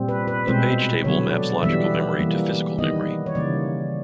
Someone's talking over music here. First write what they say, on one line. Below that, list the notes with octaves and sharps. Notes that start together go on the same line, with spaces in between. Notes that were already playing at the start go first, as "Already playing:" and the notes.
The page table maps logical memory to physical memory.
Already playing: A#2 G3 C4
B4
B4
B2 G#3 C4 C5
D3 F#3 B3 C#5
D5
E3 G3 B3 E5
E3 G3 A#3
D#3 G3 B3 D#5
C#5
C#3 E3 G3 A#3 D5